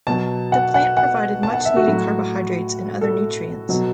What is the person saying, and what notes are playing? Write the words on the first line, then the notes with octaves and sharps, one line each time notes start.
The plant provided much needed carbohydrates and other nutrients.
B2 F#3 A5
F#5
F#5
F#5
A5
F#5
E5
F#4
A2 F#3
A4
B2 F#3